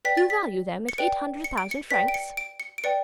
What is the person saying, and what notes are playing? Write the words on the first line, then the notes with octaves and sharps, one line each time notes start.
"You value them at eight hundred thousand francs?"
B4 D5 G5 B6
A6
B6
C#7
B4 D5 G5 D7
C#7
D7
C#7
B4 D5 G5 B6
D7
C#7
D7
C#7
D7
B4 D5 G5 C#7